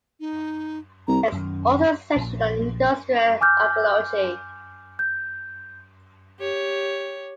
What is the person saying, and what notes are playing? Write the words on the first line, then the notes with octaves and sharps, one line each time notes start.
There's also a section on industrial archaeology.
D#4
C2 A#5
F#2 D#3
A#1
G#5 D6 F6 G6
G6
G4 C#5